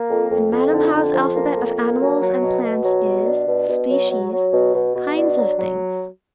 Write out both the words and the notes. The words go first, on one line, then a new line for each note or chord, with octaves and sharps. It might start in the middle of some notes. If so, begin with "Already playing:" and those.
And Madam How's alphabet of animals and plants is, Species, Kinds of things.
Already playing: A#3
F2
F2
F2
D3
F2
F3
A#3
F2
A#3
F#3
F#3
B2
B2
F#3
B2
D4
B2
B2
F#3
F#3
F#3
B2
B2
B2
D4
F#3
F#3